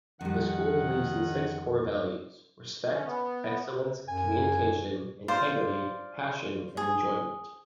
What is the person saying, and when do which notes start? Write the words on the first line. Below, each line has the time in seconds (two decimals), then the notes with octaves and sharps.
The school believes in six core values: respect, excellence, communication, integrity, passion and enjoyment.
0.21 F2 D#3 G3 F#5
2.91 C#4
3.06 B3
4.06 F#2 G#5
5.28 F4 C5 D5 F5
6.77 G#4